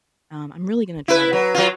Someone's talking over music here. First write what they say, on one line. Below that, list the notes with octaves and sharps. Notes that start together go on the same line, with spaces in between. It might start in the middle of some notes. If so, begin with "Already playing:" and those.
Um, I'm really gonna try to
E4 B4
F#3
F#3 F4